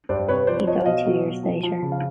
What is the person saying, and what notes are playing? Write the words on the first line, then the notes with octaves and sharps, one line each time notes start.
He died two years later.
G2 C5 D5
C3 B4 C#5
F3 C5 D5
F3 C#5 D#5
B2 D#5 F5
F#3
B2
F3
F3
C#3
F5